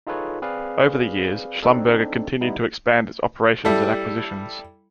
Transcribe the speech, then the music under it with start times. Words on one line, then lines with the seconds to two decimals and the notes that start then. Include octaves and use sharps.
Over the years, Schlumberger continued to expand its operations and acquisitions.
0.07 D#4 F4 G#4 A4 B4 C#5
0.42 C4 G#4 B4 D5 F5
1.64 C4 D4 D#4 A4
2.41 G3 B3 D#4 E4
3.65 G3 E4 A4